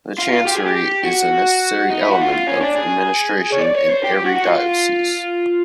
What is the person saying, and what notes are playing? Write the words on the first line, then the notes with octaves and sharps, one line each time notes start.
The chancery is a necessary element of administration in every diocese.
F4
F4
G4
G#4
G4
F#4
D#4
E4
F#4
F4
F4
C#4
D4
G#4
C#5
D5
C#5
C5
G4
G4
F#4
F#4
F4